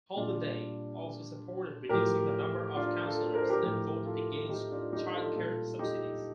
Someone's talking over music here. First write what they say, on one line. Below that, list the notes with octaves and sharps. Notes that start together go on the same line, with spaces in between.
Holyday also supported reducing the number of councillors, and voted against childcare subsidies.
A#2 G3 D4 F4
A2 F3 G4 A#4
D4 F4
F4 A4
A#4
C5
G4 A#4
A2 F3 G4 A#4
F4 A4
D#4 G4
D4 F4
D#4 G4
F4 A4
A#2 G3 F4 A4
D#4 G4